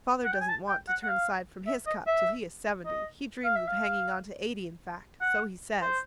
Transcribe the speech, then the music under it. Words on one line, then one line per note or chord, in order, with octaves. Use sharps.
Father doesn't want to turn aside from his cup till he is seventy, he dreams of hanging on to eighty in fact, so he says.
F#5
G5
G#5
A5
G5
F#5
F#5
F5
E5
D#5
E5
D#5
F5
E5
F5
F#5
C5